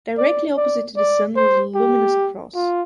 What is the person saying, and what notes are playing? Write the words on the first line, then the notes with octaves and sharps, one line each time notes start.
Directly opposite to the sun was a luminous cross.
D5
D5
D5
C5
G4
F4